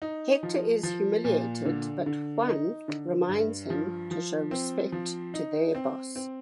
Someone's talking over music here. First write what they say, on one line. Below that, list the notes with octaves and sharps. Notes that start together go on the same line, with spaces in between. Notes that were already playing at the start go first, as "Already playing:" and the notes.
Hector is humiliated but Juan reminds him to show respect to their boss.
D#4
F3
F3
A#2
D3
D3
D#4
D3
G2
F3
F3
C4
F3
D#4
C4
C4